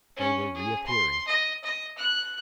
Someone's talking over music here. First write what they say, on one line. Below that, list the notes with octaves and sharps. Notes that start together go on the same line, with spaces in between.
They were reappearing.
C#4
G#4
C6
D#5
D#5
F#6